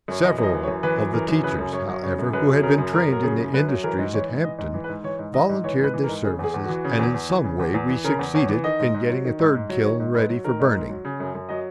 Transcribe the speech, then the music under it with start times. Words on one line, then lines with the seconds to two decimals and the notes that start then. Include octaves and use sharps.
Several of the teachers, however, who had been trained in the industries at Hampton, volunteered their services, and in some way we succeeded in getting a third kiln ready for burning.
0.08 F#2 C#5
0.23 E3 D#5
0.38 F#2 D#5
0.53 E3
0.63 C#5
0.68 F#2
0.83 E3 B4
0.98 F#2
1.13 E3 A#4
1.28 F#2
1.43 C#3 B4
1.59 F#2
1.73 F#2 C#5
1.89 F#3
2.03 C#3 C#5
2.19 F#2
2.33 F#2 B4
2.49 F#3
2.63 C#3 A#4
2.78 F#2
2.93 F#2 A#4
3.08 F#3 A#4
3.23 C#3 G#4
3.38 F#2
3.54 F#2 B4
3.69 F#3
3.83 E3 A#4
3.99 G#2
4.13 E3 C#5
4.28 G#2
4.44 E3 D#5
4.58 G#2
4.74 E3
4.84 B4
4.89 G#2
5.04 E3 C#5
5.19 G#2
5.34 E3 D#5
5.49 G#2
5.64 E3 C#5
5.79 G#2 B4
5.94 E3
6.04 A#4
6.09 G#2
6.24 C#3 G#4
6.39 E2 G#4
6.54 E2
6.64 E3 F#4
6.84 C#3
6.99 E2
7.14 E2
7.29 E3
7.44 C#3
7.59 E2
7.74 E2
7.89 E3
8.04 C#3 A#4
8.19 E2
8.34 E2 C#5
8.49 E3
8.64 D#3 D#5
8.80 G#2
8.94 G#2
9.10 F#3
9.25 D#3
9.40 G#2
9.55 G#2
9.70 F#3
9.85 D#3 C#5
10.00 G#2
10.15 G#2 B4
10.29 F#3
10.44 D#3 A#4
10.60 G#2
10.75 G#2
10.90 F#3
11.05 C#3
11.20 F#2
11.35 F#2
11.49 F#3 D#5